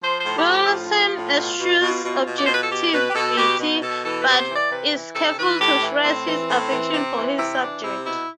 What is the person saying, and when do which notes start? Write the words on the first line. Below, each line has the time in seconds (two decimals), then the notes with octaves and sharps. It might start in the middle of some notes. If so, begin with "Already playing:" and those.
Wilson eschews objectivity, but is careful to stress his affection for his subject.
0.03 F3 C5
0.20 C5
0.26 A2
0.37 G4
0.48 F3
0.53 G4
0.66 E4
0.70 A2 F4
0.92 F3
1.15 A2
1.37 B2
1.59 B2
1.81 B2
2.04 B2
2.27 B2
2.37 D5
2.45 B2 C5
2.53 B4
2.62 A4
2.70 B2 G4
2.93 B2 B4
3.10 G4
3.15 B2 A4
3.37 B2 G4
3.59 B2
3.82 B2 A4
4.04 E3 A4
4.22 B4
4.27 C3 D5
4.38 C5
4.49 E3
4.55 D5
4.71 C3 B4
4.94 E3
5.15 C3 A4
5.38 E3 B4
5.60 A2 G4
5.82 E3
6.05 A2 C4
6.27 E3
6.49 A2
6.72 E3
6.94 C3
7.16 E3
7.38 C3 E4
7.60 E3 D4
7.83 C3 E4
8.05 B2 E4